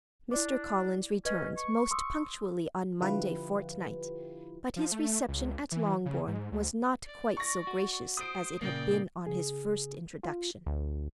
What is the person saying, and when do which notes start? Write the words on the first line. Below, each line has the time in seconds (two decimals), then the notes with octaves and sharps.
Mr. Collins returned most punctually on Monday fortnight, but his reception at Longbourn was not quite so gracious as it had been on his first introduction.
0.31 D4 E4 D5 D6
1.25 C#4 B4 D#5 G#6
1.57 C#6
1.91 C6 D#6 E6
3.02 D3 F3 E4 F4 G4 B4
4.76 F3
4.92 A3
5.28 C#2
5.72 E3
6.05 C#3
6.27 G#2
6.52 D2
7.06 D5
7.37 C#6 A#6
7.67 F#4
8.17 C5 D#6 D7
8.62 A#2 C#3 A#3 D5 G5
9.26 C#3 G#4
10.23 F4
10.66 D2